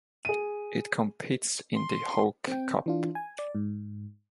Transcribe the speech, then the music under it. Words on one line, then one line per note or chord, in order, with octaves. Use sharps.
It competes in the Hawke Cup.
G#4 D#7
C6
C4 G5
E3 D4 F4
G#5
D5
G#2